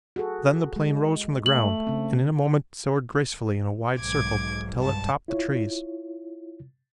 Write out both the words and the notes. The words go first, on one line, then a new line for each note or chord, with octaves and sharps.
Then the plane rose from the ground and in a moment soared gracefully in a wide circle until it topped the trees.
F#4 G#4 A4
G#3
A3 F#7
C#3 C4
B1 G#2 D6 G#6
G2 A5
E4 F4 C#5